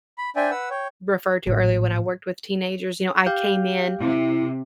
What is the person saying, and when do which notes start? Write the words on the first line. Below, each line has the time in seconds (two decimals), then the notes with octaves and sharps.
referred to earlier when I worked with teenagers, you know, I came in
0.18 B5
0.36 D4 C5 D5 E5 G5 G#5
0.51 B4 F#5 E6
0.70 C#5 G5
1.46 A1 A#2
3.26 G4 F5 G6
4.01 C3 E4